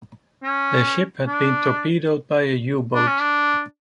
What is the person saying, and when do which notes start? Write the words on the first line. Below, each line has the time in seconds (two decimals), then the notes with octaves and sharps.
Their ship had been torpedoed by a U-boat.
0.43 C#4
1.27 D4
2.95 D4
3.07 C#4
3.20 D4